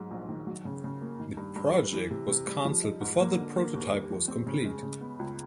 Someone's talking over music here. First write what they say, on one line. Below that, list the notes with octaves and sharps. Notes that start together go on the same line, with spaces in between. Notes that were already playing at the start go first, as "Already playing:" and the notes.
The project was cancelled before the prototype was complete.
Already playing: G#2 F#3 G#3
A#1
D#3
F#3
C#3
C#3
A#3
D#3
G2
G2
G3
E3
C3
C3
G3
F3
D#4
G#2
A#3
D3
A#3
D#2
G3
F3
C4
C#3
G#3
C#3
B3
C#2